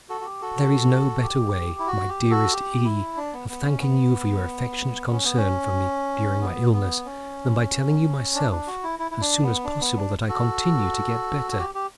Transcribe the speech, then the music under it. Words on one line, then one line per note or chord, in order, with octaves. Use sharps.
'There is no better way, my dearest E., of thanking you for your affectionate concern for me during my illness than by telling you myself, as soon as possible, that I continue to get better.
F#4 A4
F#4
G4
F#4 A4
G4
E4
F#4
G4
F#4 A4
G4
E4
D4
B3
B3
C#4
B3
C#4
B3
C#4
B3
B3
C#4
D4
D4
F#4
E4
E4
E4
D4
B3
D4
B3
D4
F#4 A4
A4
G4
G4